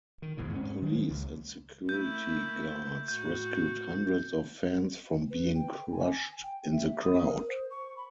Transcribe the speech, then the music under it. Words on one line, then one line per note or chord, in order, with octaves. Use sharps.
Police and security guards rescued hundreds of fans from being crushed in the crowd.
D#3
G#1 E2 A2 C#3
G#2 C4 C#4
D#3 F#3 G#3
C#2 C#3
A3 A#3 E4 G6
A2 F#4 G6
B4
G5
G#5
G5
E5
D#6
A#4
C5
C#6
B5